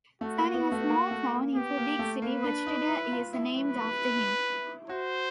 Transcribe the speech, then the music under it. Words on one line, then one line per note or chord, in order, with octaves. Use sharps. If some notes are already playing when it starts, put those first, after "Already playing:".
Turning a small town into a big city which today is named after him.
A3 F#4
A#3
B3
A3
B3
A#3
A3
A#3
B3 G4
A#3
A3
A#3 B4
D4
D#4
E4
F4
E4
B4
F#4 C5